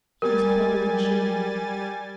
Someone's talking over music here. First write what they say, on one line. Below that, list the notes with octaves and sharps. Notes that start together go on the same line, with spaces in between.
He was cold and shivering.
G3 A#4 G#5 A6